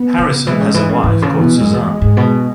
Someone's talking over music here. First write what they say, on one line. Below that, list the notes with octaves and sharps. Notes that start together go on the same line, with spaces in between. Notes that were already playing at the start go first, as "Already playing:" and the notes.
Harrison has a wife called Suzanne.
Already playing: B3
C#3
E3 G#3
C#3
E3
C#3
G#2 E3
C#3
E3
B2
F#2 G#3
E2
G#2
B2